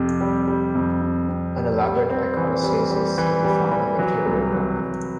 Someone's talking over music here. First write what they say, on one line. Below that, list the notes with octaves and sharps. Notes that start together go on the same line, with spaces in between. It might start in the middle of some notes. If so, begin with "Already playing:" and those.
An elaborate iconostasis can be found on the interior wall.
Already playing: F2 C3
G3
G3
F2
C3
C3
G3
G3
C4
E3
G3
G3
E3
G3
E3
F#3
C2
F#3
C2